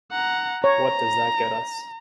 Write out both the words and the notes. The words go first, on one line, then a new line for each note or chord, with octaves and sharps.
What does that get us?
F#5 A#5
C#5 A#5